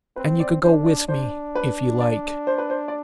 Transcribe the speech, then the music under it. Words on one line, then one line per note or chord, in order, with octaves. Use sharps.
And you can go with me, if you like.
C4 B4
D5
D4 C5
D5
D4 C5
B4
D5
C5
B4
C5
D5